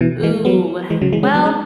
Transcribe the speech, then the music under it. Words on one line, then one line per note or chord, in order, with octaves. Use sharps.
Ooh, well,
B2 E3
E3 G#3
F#3 B3
E3 G#3
C#3 F#3
E3 G#3
G#3 C#4
F#3 B3
G#3 C#4